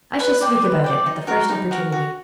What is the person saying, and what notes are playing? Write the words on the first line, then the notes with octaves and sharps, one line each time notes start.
I shall speak about it at the first opportunity.
B4
D5 G5
B4
D5 G5
D#4
F#4 A#4
D#4
F#4 A#4
F#4